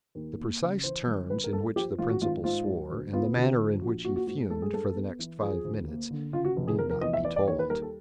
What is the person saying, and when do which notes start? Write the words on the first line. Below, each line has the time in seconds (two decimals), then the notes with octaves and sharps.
The precise terms in which the principal swore, and the manner in which he fumed for the next five minutes, need not be told.
0.15 D#2
0.39 A#3
0.61 C#3
0.84 E3 C5
1.07 G1
1.30 G1 B4
1.44 A#4
1.53 G2 A4
1.76 F3 G4
1.98 G#1 F4
2.09 F#4
2.22 G#1 F4
2.44 G#2 F4
2.67 F#3
2.90 D2
3.13 B3 F4
3.36 D3 F#4
3.59 F3
3.81 A#1 F#4
4.04 A#3 F#4
4.16 F#4
4.27 G#2 F#4
4.50 G#3 A4
4.62 G#4
4.73 G2 A4
4.96 B3
5.19 E3
5.42 F3 G#4
5.64 D2
5.87 A#3
6.11 D3
6.33 C#3 F4
6.45 F#4
6.56 F1
6.67 G#4
6.79 F1 A#4
6.90 A#4
7.01 E2 D#5
7.13 E5
7.24 E3 D5
7.36 D5
7.47 D#2 C#5
7.59 B4
7.70 G3 A#4
7.82 A4